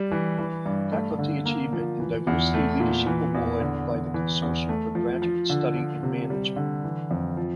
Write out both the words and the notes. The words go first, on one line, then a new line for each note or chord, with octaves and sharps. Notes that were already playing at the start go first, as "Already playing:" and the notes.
Faculty Achievement and Diversity Leadership Award by the Consortium for Graduate Study in Management.
Already playing: G3
E3
E3
G2
A3
D3
A#3
F3
E3
E2
A3
A#2
E3
E2
D3
E2
E3
E2
A3
F3
F3
D3
F3
C3
G3
D3
E3
F2
F3